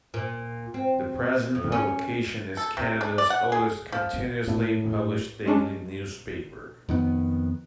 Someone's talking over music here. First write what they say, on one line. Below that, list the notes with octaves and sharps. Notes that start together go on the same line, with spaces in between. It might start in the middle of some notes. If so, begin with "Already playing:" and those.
The present publication is Canada's oldest continuously published daily newspaper.
A#2
C4
F2
C#4
A4
C3
D4
D5
F#5
G#4
F3
A2
G#3 C#4 D4
F2 D#3 B3